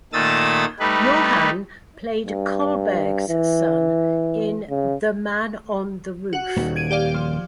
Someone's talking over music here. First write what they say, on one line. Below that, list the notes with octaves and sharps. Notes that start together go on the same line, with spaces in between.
Johan played Kollberg's son in "The Man on the Roof".
A#2 D#3 A3 D#6 E6 A6
G3 A3 D#4 B4
G2
E3
C#3
F#4 F#5
D#1 D#2
G#6 D7 D#7
G4 D5 F5
F3